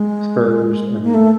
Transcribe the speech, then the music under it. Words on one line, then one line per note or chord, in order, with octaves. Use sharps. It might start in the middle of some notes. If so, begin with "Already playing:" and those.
Spurs, I mean
Already playing: G#3
A#3
A3